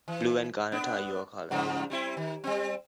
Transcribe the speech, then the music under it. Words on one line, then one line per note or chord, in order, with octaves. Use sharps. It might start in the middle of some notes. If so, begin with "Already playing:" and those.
Blue and garnet are your colors.
E3
B3 D4
G2 C#3 F3
G3 C4 E4
D#3
G3 C4